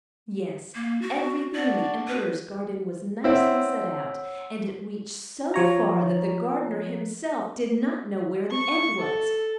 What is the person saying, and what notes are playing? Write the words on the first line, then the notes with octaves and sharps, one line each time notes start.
Yes, everything in the Emperor's garden was nicely set out, and it reached so far that the gardener himself did not know where the end was.
A#3
F#4
D4 F#4 D5
B4
C4 E4 C#5 F#5 E6
F3 C#5 A#5
C#6
A4